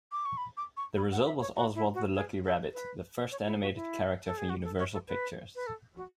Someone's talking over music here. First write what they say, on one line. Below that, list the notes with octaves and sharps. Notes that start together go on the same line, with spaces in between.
The result was Oswald the Lucky Rabbit, the first animated character for Universal Pictures.
D6
C#6
B5
D6
C#6
B5
F#5
E5
C#5
F#4
E4
F#4
G#4
A4
B4
C#5
E4
F#4
E4
A4
G#4
F#4
A4
C#5
A4
B4
B4
A4
F#4